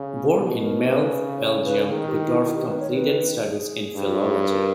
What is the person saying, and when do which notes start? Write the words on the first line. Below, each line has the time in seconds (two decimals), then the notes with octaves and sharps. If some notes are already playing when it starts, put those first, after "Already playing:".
Born in Melle, Belgium, Guddorf completed studies in philology.
Already playing: C#3
0.35 B2 G4
0.61 A#4
0.86 C#3 B4
1.38 C#5
1.64 B4
1.89 D#3 G#4
2.07 G4
2.24 E4
2.41 D#3 E4
2.53 G4
2.67 B4
2.79 C#5
2.92 B4
3.44 G#4
3.96 G2
4.47 A#4